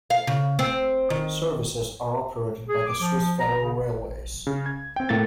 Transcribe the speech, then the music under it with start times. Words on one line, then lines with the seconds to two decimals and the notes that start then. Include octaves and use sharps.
Services are operated by the Swiss Federal Railways.
0.10 F5
0.27 C#3
0.59 C4
1.10 D#3
2.69 G#4
2.87 D6
3.01 F3
3.40 A#5
3.62 C#3
4.47 C#3
4.66 G#6
4.96 C4 G5
5.09 A2 A#3 A6